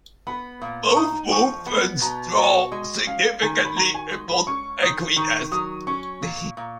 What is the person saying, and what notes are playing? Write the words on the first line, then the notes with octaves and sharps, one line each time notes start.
Both movements draw significantly upon Aquinas.
B3 B5
A#2
C#6
D#4 D#6
F3 C#6
B3 B5
B2 A#5
F#4 D#5
G#3 D#5
C#4 F5
D#3 G#5
B5
F#4 A#5
G#5
G#3
B5
C#4 C#6
D#3 D#6
D#3 C#6
F#3 D#6
C#4 C#6
A#2
A#2